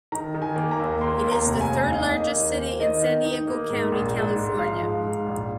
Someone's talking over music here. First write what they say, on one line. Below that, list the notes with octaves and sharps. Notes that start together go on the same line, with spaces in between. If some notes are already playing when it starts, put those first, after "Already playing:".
It is the third-largest city in San Diego County, California.
D#3 A#5
D#3
G#5
A#3
A#5
D#2
A#3 C6
D#2
A#5
F1
G#5
D#2
D#4 F5
A#3
D#5
D#2
C5
A#3
D#3 D#5
D#4
D#4
A#3
G#2
A#1
G#2
G#2
F3 F5
G#2
G#2
A#1